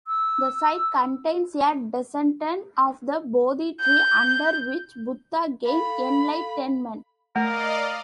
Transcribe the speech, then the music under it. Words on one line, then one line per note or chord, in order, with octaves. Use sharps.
The site contains a descendant of the Bodhi Tree under which Buddha gained enlightenment.
E6
G6
A4 F5 B5
A3 A#4 D5 D#5 F5